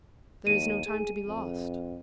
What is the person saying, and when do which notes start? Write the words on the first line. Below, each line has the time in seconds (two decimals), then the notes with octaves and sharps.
"There is no time to be lost."
0.47 D#2 D#7
0.86 G#4
1.26 F2